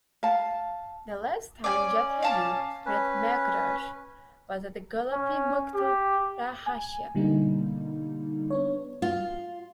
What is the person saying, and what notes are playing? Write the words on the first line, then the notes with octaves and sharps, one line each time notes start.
The last time Jatayu met Meghraj was at Golapi Mukto Rahashya.
F5 A5
C#4 D5 G#5
F5 A5 D6
C#4 B4
C#4
G4
G#5
B2 D3 G3 A#3 D#4
B3 D4 C#5
F4